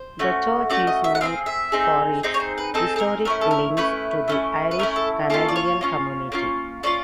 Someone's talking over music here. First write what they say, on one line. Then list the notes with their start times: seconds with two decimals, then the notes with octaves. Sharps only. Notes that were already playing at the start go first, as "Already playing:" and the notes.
The church is known for its historic links to the Irish Canadian community.
Already playing: C5
0.19 A3 C#4 F#4
0.70 A3 C#4 F#4 D5
0.87 D#5
1.04 E5
1.15 F#5
1.21 C4 D#4 G#4 F5
1.46 E5
1.72 C4 D#4 G#4
2.23 C4 D#4 G#4 D#5
2.34 C#5
2.40 C5
2.58 B4
2.74 C4 D#4 G#4 A4
2.96 A4
3.00 A#4
3.25 A3 C#4 E4 A#4
3.41 A4
3.51 A#4
3.77 A3 C#4 E4 B4
4.28 A3 C#4 E4
4.71 B4
4.79 A3 C#4 E4 A#4
4.96 A4
5.30 A#3 C#4 F4 A4
5.48 D5
5.56 C#5
5.81 A#3 C#4 F4
6.32 A#3 C#4 F4
6.83 A#3 C#4 F4 D5